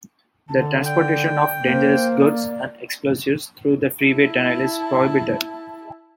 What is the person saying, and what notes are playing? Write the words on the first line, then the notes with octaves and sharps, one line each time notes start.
The transportation of dangerous goods and explosives through the freeway tunnel is prohibited.
D3 A5
D5 G5
A#3 C5
D5
E4 A5